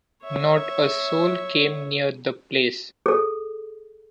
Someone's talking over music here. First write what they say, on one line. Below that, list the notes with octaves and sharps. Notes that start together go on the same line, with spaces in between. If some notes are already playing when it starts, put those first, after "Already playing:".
Not a soul came near the place.
C#5 E5
G#4 A4